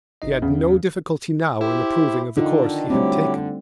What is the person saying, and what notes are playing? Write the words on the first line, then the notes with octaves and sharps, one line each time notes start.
He had no difficulty now in approving of the course he had taken.
G#1 D#4 D#5
E2 C#3
E4 G4 C5
D3 D#3 D#4 F4
D#3
F#3 G3 A3 C4 E4 G4